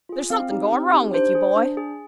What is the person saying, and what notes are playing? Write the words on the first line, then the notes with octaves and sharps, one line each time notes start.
There's something going wrong with you, boy.
F4 G#4
C4 F5
D#4 G4
C4
D#4 G4
D4 C5
G#4
D4
G#4